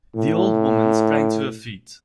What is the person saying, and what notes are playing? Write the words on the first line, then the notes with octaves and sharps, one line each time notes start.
The old woman sprang to her feet.
A2